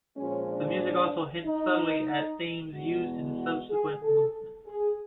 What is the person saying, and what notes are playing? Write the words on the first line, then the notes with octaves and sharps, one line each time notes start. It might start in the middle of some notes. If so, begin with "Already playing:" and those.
The music also hints subtly at themes used in the subsequent movements.
A#2 F3 G#3 C#4
D4
D#4
E2 B2 G#3 F#4
F#4
G#4
A4
G#4